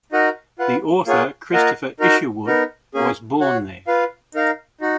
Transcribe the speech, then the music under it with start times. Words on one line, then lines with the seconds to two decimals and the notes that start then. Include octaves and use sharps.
The author Christopher Isherwood was born there.
0.12 D#4 F#4 A#4 D#5 F#5
0.59 F4 B4 F#5
1.06 A#3 F4 G#4 C#5 F#5
1.53 A#3 F4 A#4 D#5 F#5
2.00 D#4 F#4 A#4
2.47 B3 D#4 A#4
2.94 A#3 C#4 G#4
3.40 F#4 C#5 F#5
3.87 F4 B4 F5
4.35 D#4 A#4 F5
4.81 D#4 F#4